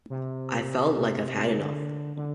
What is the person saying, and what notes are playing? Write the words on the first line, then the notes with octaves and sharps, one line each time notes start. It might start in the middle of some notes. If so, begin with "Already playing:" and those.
I've felt like I've had enough.
C3
C3
D3
D3